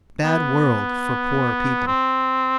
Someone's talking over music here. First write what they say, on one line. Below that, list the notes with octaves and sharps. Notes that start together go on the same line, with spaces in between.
"Bad world for poor people."
B3
C4